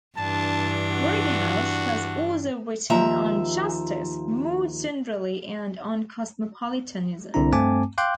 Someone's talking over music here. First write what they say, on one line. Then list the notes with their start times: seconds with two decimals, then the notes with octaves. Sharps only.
Brighouse has also written on justice more generally and on cosmopolitanism.
0.17 G2 E3 D4 A5
0.92 F#4
2.90 D#2 F3 E5 A#5
7.34 C2 D3 C4 D4 E4 A#5
7.52 G2 A3 C4 G#5 A5 D6
7.98 F5 G5 C6 D6 F#6 G6